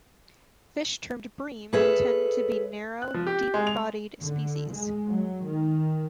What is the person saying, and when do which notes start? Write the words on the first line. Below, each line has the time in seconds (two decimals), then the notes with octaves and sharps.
Fish termed "bream" tend to be narrow, deep-bodied species.
1.73 G#4 A4 B4 C#5 E5
3.02 F#6
3.14 F3
3.27 G4
3.54 G#3
3.67 F7
4.21 D3
4.72 G#3
5.07 F#3
5.45 D#3